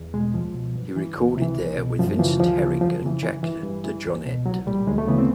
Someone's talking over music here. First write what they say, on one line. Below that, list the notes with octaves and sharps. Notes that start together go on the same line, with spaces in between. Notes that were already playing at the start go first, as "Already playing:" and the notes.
He recorded there with Vincent Herring and Jack DeJohnette.
Already playing: E2
B2 G#3
C#2 F3
B2
G2
E3
C#2
C3 E3
C2
B2
F#2 F3
C#3 E3 F3
D2 F3
C#3 E3
F2 F3
C#3 E3
G2 E3
E3
G2
E3
C#2
B2
C2 F#3
A#2 G3
D2 G#3
A3
C#3 E3 B3
C4